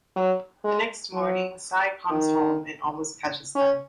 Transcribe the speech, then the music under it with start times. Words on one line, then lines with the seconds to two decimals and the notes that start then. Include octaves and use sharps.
The next morning, Cy comes home and almost catches them.
0.16 F#3
0.64 G#3
1.13 F#3
2.10 D#3
3.55 C#4